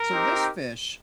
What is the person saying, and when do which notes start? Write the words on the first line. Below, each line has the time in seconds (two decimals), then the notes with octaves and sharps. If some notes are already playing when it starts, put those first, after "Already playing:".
so this fish
Already playing: A#4
0.11 C4 D#4 G4